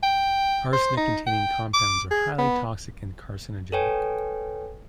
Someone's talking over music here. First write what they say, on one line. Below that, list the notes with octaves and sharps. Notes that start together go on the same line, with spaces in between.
Arsenic-containing compounds are highly toxic and carcinogenic.
G5
C5
D#4
G5
D6
G#4
B3
A4 B4 C#5 G5 G#5